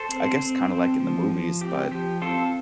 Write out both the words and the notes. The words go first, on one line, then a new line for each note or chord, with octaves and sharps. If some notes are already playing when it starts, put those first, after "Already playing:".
I guess kinda like in the movies, but
Already playing: A4 C5
C4
C4
C4
F3
F3
C4 G4
F3 G4
C4 F4 A4